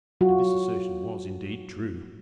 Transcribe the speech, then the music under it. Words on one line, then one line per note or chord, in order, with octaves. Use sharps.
And this assertion was indeed true.
F#3 F4 F#4